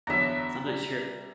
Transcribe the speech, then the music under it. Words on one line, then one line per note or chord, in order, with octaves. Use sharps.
so I'm not sure
E2 D3 F#3 E5 A#5
G3